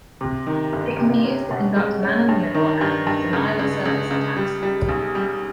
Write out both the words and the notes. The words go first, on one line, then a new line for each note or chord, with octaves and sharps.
It can be used to conduct man-in-the-middle and denial-of-service attacks.
C3
D#3
G1
C3
C#4
B2
G#3
C#4
G2
D#3
G2
G2
C#2
C#2
C#2
C#2
G3
G3
B1
G3